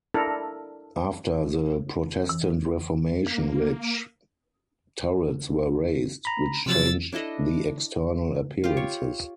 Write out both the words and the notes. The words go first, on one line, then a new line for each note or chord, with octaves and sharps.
After the Protestant Reformation, ridge turrets were raised, which changed the external appearances.
D4 E4 A4 A#4
E3
A#3
A#5 B5
C3 F3 F#3 E6 A6
D4 E4 A4 D#5
F4 G4
C#5